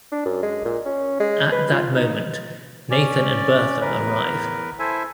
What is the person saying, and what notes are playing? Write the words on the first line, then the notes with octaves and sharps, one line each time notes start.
At that moment, Nathan and Bertha arrive.
D4
F#2
G#3
A#2
C#4
G#3
B4
F4
D#4
C#4 D5
E2 A#4 B4
E4 A4 C5 E5 G#5